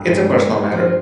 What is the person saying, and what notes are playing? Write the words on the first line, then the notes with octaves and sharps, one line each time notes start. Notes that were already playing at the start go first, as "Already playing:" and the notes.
It's a personal matter.
Already playing: G2
G#3
G#3
G2
F3